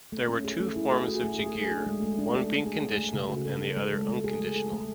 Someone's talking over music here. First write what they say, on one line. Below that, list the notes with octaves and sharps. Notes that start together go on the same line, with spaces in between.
There were two forms of "jagir", one being conditional and the other unconditional.
A3
C#4
G#4
A3
E4
G#4
F#4
A3
G#4
A3
D4
G#3
A3
D4
G#4
A3
G#4
A3
A3
C#3
F#4
A4
A4
G#3
A4
A3
G#4
G#3
A4
A3